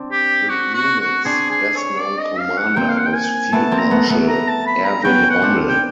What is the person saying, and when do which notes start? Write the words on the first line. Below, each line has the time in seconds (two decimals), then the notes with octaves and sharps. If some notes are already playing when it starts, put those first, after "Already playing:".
The unit's best known commander was Field Marshal Erwin Rommel.
Already playing: C4 D4
0.12 G4
0.49 F#4
0.74 F#4
1.00 F#4
1.25 C4 D4 G#4
1.51 G#4
1.76 C#5
2.01 D5
2.20 D#5
2.39 F5
2.58 F#5
2.76 A#3 C4 G5
2.89 F5
2.98 F#5
3.06 G5
3.15 G#5
3.53 A3 B3 A5
3.72 A#3 C4
3.78 A#5
3.91 A3 B3
4.10 A3 B3
4.29 A#5
4.48 A5
4.67 B5
4.86 A#5
5.04 B3 C#4 G5
5.30 F#5
5.42 C4 D4
5.69 G5